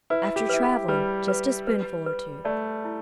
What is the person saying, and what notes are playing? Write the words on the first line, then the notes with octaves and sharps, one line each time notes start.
After travellin'--just a spoonful or two.'
E4 B4
G4
E4 B4
G4
G3 B4
B4
B4
B4
A3 D5
E4